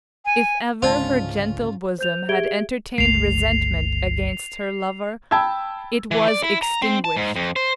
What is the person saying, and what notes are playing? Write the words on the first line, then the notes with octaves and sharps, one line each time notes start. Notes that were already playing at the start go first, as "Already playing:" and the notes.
If ever her gentle bosom had entertained resentment against her lover, it was extinguished.
G#5
C#2 G#2 D3 C#4 F4 C5 D5 A5
C5 G6 F7
G4 G#4 E5 G#6 D7 G7
G1 C#2 A3 C7 F7
G5 A5 B5 E6 G#6
E3
D5
E4
A#5
C4
A5
G#2
F2
C5